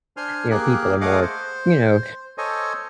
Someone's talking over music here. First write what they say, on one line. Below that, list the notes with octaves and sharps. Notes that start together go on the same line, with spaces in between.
You know, people are more, you know?
D4 C5 G#5 C6 F6
A#3 G4 G#4 A#4 F#6
A3 G#4 D#5 F5 F#5 D6
C5
A4 C5 C#5 D#5 G#5